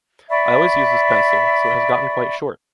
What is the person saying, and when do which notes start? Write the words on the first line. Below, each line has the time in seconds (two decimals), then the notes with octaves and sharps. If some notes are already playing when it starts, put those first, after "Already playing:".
I always use this pencil, so it has gotten quite short.
0.28 D5 E5 B5 C#6